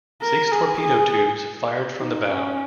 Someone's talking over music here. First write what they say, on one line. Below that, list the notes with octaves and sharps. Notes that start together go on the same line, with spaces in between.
Six torpedo tubes fired from the bow.
A#4
G#4
G#4
D#4
C#4